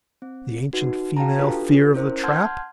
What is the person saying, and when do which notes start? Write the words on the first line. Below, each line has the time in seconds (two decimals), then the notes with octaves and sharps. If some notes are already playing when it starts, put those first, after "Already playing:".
The ancient female fear of the trap?
0.22 C4
0.73 D#4 F#4 B4
1.17 F#4 F5 G5 A5 A#5
1.38 D4 F4 G4 A4 B4
1.94 C#4 E4 A#4 C5
2.23 F#5 A5 C6 F6 G6 G#6